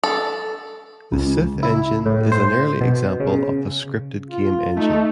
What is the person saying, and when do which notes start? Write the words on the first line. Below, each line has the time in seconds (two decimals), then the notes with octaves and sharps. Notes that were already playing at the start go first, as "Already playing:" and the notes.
The Sith engine is an early example of a scripted game engine.
0.04 A4
1.12 C#2
1.63 E4
2.06 A2
2.32 C5
2.81 B2
3.20 C#3
4.30 F4
4.76 A3 D#4